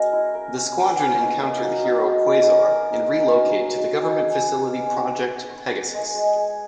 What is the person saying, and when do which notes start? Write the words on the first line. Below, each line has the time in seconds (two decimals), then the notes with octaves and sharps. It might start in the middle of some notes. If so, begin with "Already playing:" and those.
The Squadron encounter the hero Quasar, and relocate to the government facility Project Pegasus.
Already playing: G#3 C#4 F#4 A#4
0.12 E4
0.34 A#4
0.55 C#4
0.78 B4
0.99 C#4
1.20 D#4
1.42 A#3
1.63 F#3
1.84 D#4
2.06 D#4
2.28 G#4
2.50 A#4
2.71 A#4
2.92 D#4
3.14 E4
3.36 F#3
3.56 F#3
3.78 D#4
4.00 G#4
4.21 G#4
4.43 B4
4.65 C#4
4.86 C#4
5.07 E5
5.29 C#5
5.50 C#5
5.72 C#5
5.94 G#3
6.15 G#3
6.36 G#4